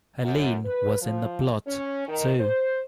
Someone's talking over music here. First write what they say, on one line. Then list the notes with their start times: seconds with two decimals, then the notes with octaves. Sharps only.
Helene was in the plot, too.
0.23 F#2
0.65 B4
1.01 F3
1.66 C#4
2.08 D#3
2.40 C5